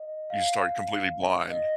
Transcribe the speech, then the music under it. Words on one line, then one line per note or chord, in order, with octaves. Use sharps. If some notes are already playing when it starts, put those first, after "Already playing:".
you start completely blind
Already playing: D#5
F5
D#5